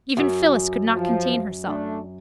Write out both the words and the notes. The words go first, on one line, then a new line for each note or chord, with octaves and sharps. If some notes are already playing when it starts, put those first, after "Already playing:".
Even Phyllis could not contain herself.
F#2
F3
A3 D4